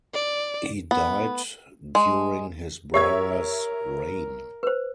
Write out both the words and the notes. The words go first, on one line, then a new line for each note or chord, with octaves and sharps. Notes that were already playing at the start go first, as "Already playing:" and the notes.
He died during his brother's reign.
D5
B3
G#3
G4 A#4 C#5 E5 G#6
B4 C5